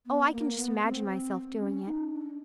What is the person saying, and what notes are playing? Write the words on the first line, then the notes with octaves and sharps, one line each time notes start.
Oh, I can just imagine myself doing it.
B3
A#3
B3
C4
C#4
D#4
D4